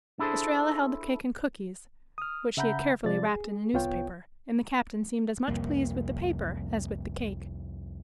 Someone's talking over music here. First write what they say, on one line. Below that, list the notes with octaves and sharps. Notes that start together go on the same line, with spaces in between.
Estralla held the cake and cookies, which she had carefully wrapped in a newspaper, and the Captain seemed as much pleased with the paper as with the cake.
D4 E4 G#4 A4 C5
D#6 F6
C#3 E5 F#5 A#5 B5 G6
C3 F3 D5 A6
G#4
C2 B3 F4 C#5 G5
C2 F2 A#3